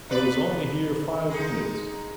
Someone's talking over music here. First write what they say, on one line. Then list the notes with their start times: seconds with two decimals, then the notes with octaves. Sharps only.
He was only here five minutes.
0.10 D#4 B4 D5
1.30 G#3 D#4